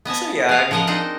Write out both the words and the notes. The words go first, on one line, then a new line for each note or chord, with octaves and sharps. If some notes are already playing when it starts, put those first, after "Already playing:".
ye so, yeah, I mean,
B3 D#5 G#5 A5
G#4 F5
F3 G#3 A#4 D#5 F#5
C4 D4 D#4 C5 D#5 F#5